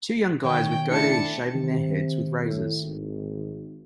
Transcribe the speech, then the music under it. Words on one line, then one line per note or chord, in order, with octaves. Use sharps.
Two young guys with goatees shaving their heads with razors.
B2 D#3 C#5 G5
A3 D4 E4 A5 C#7
C3 D#3
A2
G#1